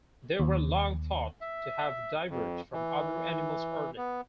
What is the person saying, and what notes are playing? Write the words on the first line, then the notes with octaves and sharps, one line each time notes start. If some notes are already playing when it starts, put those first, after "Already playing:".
They were long thought to have diverged from other animals early.
D#2
E5
F2
E3
B3